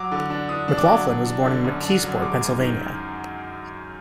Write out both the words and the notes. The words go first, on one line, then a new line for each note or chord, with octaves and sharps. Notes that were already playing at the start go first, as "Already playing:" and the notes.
McLaughlin was born in McKeesport, Pennsylvania.
Already playing: F#3 D6
D3
D4
D4 D#6
D4
D6
F#3
D4
D4
D3
F#2
D4
F#3
G#3 D6
F#2
D#3